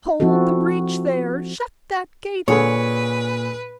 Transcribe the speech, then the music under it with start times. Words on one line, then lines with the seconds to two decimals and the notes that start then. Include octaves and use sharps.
Hold the breach there! Shut that gate!
0.20 F3 C4 E4 F#4 A4
2.48 A#2 D3 G#4 B4 C#5